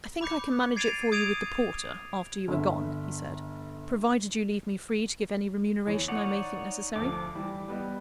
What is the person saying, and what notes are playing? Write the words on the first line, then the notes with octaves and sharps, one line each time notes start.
"I think I can manage it for you with the porter, after you are gone," he said, "provided you leave me free to give any remuneration I may think necessary."
B5 D6 G6 C#7
G#6 A6 C7 D7 D#7 F7
D#6 G#6 D7 D#7 F7
G1 E5
E2 E3 C#5
D#4 C#5 D5 F#5
D2 F3 D6
E3 G3
G3 B3 D#5